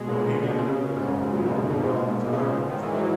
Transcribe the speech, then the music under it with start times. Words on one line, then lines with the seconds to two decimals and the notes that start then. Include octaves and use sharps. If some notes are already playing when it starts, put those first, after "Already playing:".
you know, he won't do it, like we won't do it all the time, 'cause, like,
Already playing: B2 G#3
0.08 A#2
0.26 A#2
0.43 B2
0.58 C#3
0.96 G#2
1.08 F#2
1.21 G#2
1.33 A#2
1.46 B2
1.59 B2
1.70 A#2
1.83 G#2
2.08 G#2
2.20 B2
2.33 C#3
2.44 G#2
2.58 G#2
2.69 D#3
2.83 E3
2.94 F#3